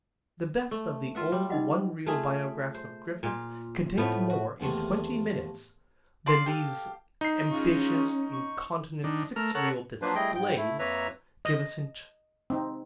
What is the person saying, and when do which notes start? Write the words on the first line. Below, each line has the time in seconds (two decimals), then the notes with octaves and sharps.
The best of the old one-reel Biographs of Griffith contained more in twenty minutes than these ambitious incontinent six-reel displays give us in two hours.
0.71 A3
1.15 F4 E5 F#5
1.32 G3
1.50 D#4 D#5 F#5
2.06 A3 F4 G#4
2.75 C5
3.23 A#2 F4
3.98 A2 F3 A3 B3
4.30 F#4
4.60 E2 C3 D#3 F3 A3 A#3
6.26 D5 F5 C6
6.46 G4 A4 F5
7.21 D#4 C7
7.51 G#3 C#4 F4 C#6
8.33 C#6
9.04 D#3 D4
9.36 A3 A#4 F6
9.55 A4 A#4 C#5 F#5
10.02 F3 F#3 A#3 D4 B4 C5
10.15 G3 A3 E4 G#4 D#5 G5
10.35 G#2 G5
10.57 A3 E4
10.79 F2 A#3 B4 C#5 E5 A#5
11.45 D#5
12.50 C4 D#4